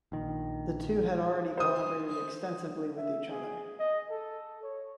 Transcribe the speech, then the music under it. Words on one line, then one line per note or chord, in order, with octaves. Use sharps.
The two had already collaborated extensively with each other.
A#1 D#3
C5 D#6
E5
G#4
D#5
A4
C#5